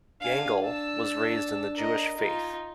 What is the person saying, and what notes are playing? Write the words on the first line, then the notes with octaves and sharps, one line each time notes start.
Gangel was raised in the Jewish faith.
D4 F5 G#5
A5 E6
A#4 D#5
D#4 F4